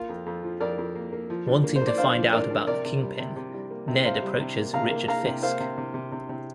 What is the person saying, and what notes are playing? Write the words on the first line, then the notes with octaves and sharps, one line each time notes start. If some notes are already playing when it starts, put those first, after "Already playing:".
Wanting to find out about the Kingpin, Ned approaches Richard Fisk.
Already playing: A#3 F4 A#4
F2
F2
F3
F2 A#4 D5
F2
A#3
A#3
F3
G2
A#3
C5
A#3
D5
G2 C5 F5
F3
G2 A#4 D5
G2
C3 A#4 D5
C3
G3
C3
C3
G3
A#3
C3
C3 C5 F5
G3
C3
A#3
C3 F5 A#5
A#3
A#3 F5 A#5
C3
A#3 C5 F5
C3
C3
C3
C3
C3